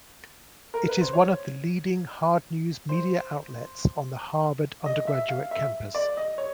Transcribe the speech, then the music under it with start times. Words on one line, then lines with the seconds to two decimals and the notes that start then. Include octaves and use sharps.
It is one of the leading hard-news media outlets on the Harvard undergraduate campus.
0.74 A#4
0.88 B4
1.01 C5
1.13 C#5
2.89 C5
4.86 D#5
5.07 E5
5.29 F5
5.51 E5
5.95 D5
6.17 D#5
6.38 C#5